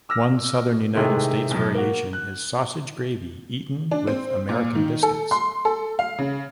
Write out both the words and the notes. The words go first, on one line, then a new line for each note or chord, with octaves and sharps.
One Southern United States variation is sausage gravy eaten with American biscuits.
D6 E6 F6 A#6
A2 C3 D#3 G#3 A3 E4
F#2 B2
A#3 F#4
F#6
D4
C4
A#2
D#3
A4
C6
A4
F5
C#3